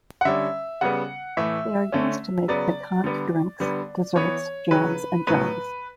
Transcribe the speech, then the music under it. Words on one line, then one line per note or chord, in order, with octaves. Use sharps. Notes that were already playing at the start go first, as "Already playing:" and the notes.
They are used to make piquant drinks, desserts, jams, and jellies.
F#5
D3 G3 C#4 E5
C#3 G3 B3 F#5
A2 E3 A3 E5
D3 A3 C#4
C#3 F#3 B3 D5
D3 G3 B3
D3 G3 B3
E3 B3 C#5
C#3 F#3 C#4 B4
A2 F#3 B3 B4